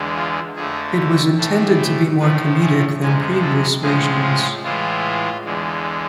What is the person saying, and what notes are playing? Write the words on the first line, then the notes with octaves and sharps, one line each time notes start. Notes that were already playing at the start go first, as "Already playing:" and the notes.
It was intended to be more comedic than previous versions.
Already playing: E2 D3 G#3
F4
F2 D3 A3 G#4
A2 E3 A3 A4
C5
A2 F3 A3 B4
G#4
F2 C3 G#3 G#4
A4
A2 F3 G#3 G#4
F4
A2 E3 G#3 F4
E2 D3 G#3